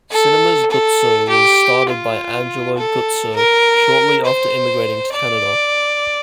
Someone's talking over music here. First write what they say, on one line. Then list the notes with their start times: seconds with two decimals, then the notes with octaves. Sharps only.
Cinemas Guzzo was started by Angelo Guzzo shortly after immigrating to Canada.
0.11 A4
0.71 A4
1.29 G4
1.89 F4
2.77 A4
3.35 A#4
4.25 C5
5.13 D5